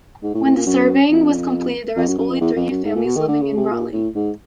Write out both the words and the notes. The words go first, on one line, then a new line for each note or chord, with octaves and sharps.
When the surveying was completed, there were only three families living in Raleigh.
G#2
A2
A2
A#2
F#2
F2
F2
F#2
F#2
F2
E2
F2
F#2
G#2
A#2
B2
D#3
D3
C#3
C3
A#2
A2
G#2